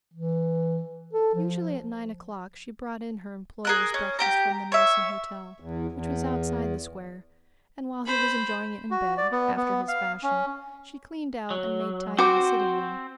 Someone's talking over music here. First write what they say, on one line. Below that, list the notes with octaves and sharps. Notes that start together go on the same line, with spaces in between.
Usually at nine o'clock she brought in her employer's breakfast from the Nelson Hotel, which was outside the Square, and while he was enjoying it in bed, after his fashion, she cleaned out and made tidy the sitting-room.
E3
A4
F3
G#4 A#4 F#6
C#4
G4 G5 A#5
C#5 E5
E2
E2
C5 B5
F#4
D5
B3
B3
F5
C#4
F#3
C4 F#4 C5 D6